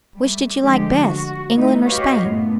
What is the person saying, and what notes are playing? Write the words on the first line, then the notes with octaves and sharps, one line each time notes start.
"Which did you like best--England or Spain?"
G3 A3
D3 F3 G#3 G4
F#4
G3 A3 D#4 E4
F#4 G4 B4 C#5 D#5 F5
G2 A#2 A3 B3